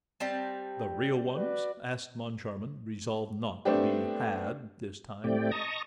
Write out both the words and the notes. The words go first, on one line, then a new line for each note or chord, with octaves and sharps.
"The real ones?" asked Moncharmin, resolved not to be "had" this time.
G3 C4 A5
F#4 B4 D5
A3 B3 C4 D4 G4
A2 A3 C4 G4 D5 G5
D#5 A5 A#5 C#6 D#6